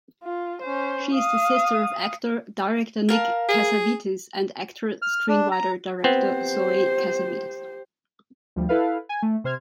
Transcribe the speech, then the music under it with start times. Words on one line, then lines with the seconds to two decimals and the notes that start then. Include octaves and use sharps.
She is the sister of actor-director Nick Cassavetes and actor-screenwriter-director Zoe Cassavetes.
0.24 F4
0.62 C#4 C5
1.15 F5 D#6
3.09 A#4 F5 A5
3.49 G#4
5.02 F6
5.28 D4
5.52 A#5
6.04 B3 C4 G4 C5
8.56 D2 F3 G3
8.69 E4 A4 B4 F5
9.09 G#5
9.22 A3
9.44 C3 C5 F6 G#6